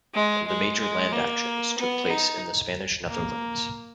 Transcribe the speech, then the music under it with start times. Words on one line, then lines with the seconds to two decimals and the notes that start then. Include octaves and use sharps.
The major land actions took place in the Spanish Netherlands.
0.14 G#3
0.47 G#3
0.80 G#3
1.12 A#3
1.78 B3
2.10 D#4
3.08 A#3